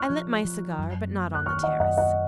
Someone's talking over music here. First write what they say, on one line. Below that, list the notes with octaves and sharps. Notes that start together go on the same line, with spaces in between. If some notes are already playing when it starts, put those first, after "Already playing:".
I lit my cigar, but not on the terrace.
Already playing: C#6 F6 F#6
F3
F3
F#2
A#3
F#6
D#3 C#6 F6
D#5 F#5
F#2 D#5 F#5
D#5 F#5